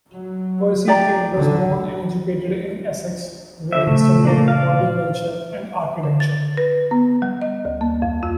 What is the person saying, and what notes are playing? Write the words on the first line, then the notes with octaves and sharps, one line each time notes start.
Percy Cane was born and educated in Essex where he studied horticulture and architecture.
F#3
G4 D5 A#5
D3 F#3
D3 E5
A#2 C#3 A3
A3 A#3 D4
D5 F5
D3
A6
B4
B3
G3
D#5
D2
A#3
F2
F4